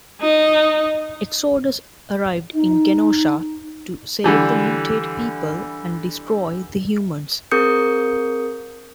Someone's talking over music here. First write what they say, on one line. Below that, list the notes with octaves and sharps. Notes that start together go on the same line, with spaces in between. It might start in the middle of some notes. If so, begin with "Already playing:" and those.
Exodus arrived in Genosha to save the mutate people and destroy the humans.
D#4
D#4
D3 E3 G3
C4 G#4 A#4 D#6 G6 C#7